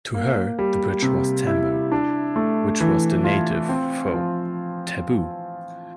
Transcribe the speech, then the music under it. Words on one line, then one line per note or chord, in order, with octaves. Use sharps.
To her the bridge was tambo, which is the native for taboo.
A#3
G3
C3
E4
D4
A3
E3
F4
C4
F3